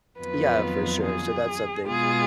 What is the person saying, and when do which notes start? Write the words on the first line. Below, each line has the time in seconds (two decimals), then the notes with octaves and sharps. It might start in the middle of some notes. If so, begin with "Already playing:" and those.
yeah, for sure, so that's something
0.18 F2 D#3 F#3 B3 F4 B4
1.03 G#4
1.87 B2 G#3 B3 F4 G#4